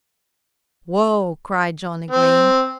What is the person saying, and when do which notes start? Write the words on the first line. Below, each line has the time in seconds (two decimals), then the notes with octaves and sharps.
"Whoa!" cried Johnnie Green.
2.11 C4